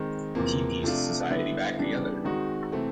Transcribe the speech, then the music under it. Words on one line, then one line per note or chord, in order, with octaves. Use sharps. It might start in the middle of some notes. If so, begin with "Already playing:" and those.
He pieced society back together.
Already playing: D#3 G#3 C4
E2 C3 F3 A#3
C3 F3 A3 D4 F4
D3 G3 B3 E4
C#3 E3 G3 B3 D4
D#3 G#3 C4 D#4 F#4
C3 E3 A3 C4